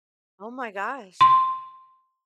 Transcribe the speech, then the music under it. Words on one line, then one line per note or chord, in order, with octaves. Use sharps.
Oh my gosh.
C6